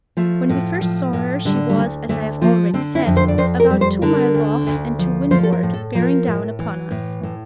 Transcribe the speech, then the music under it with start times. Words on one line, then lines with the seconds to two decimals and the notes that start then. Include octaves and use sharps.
When we first saw her, she was, as I have already said, about two miles off and to windward, bearing down upon us.
0.17 F3 A3
0.49 A2
0.81 F3
1.13 A2
1.45 D3 G3
1.69 G3
1.78 D2
2.09 D2 A3
2.42 F3 A#3
2.74 D3 C4
2.95 E4
3.06 F2
3.17 C5
3.28 D5
3.38 F2 C5
3.60 A#4
3.70 G3
3.81 C5
4.02 D3 A#4
4.34 D2
4.67 D2
4.99 F3
5.31 F3 C5
5.43 A4
5.52 A#4
5.63 A2
5.74 A4
5.95 F3 A#4
6.27 A2
6.59 E3
6.91 A2
7.23 A2